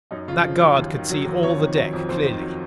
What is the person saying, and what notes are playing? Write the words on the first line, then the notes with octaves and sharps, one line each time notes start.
That guard could see all the deck clearly.
F#2 D#4
C#3 F4
F3
F#2
D#2
D#3
F#3
D#2
F2 C#5
D#3
F#3
F2
D#2 C5
D#3
F#3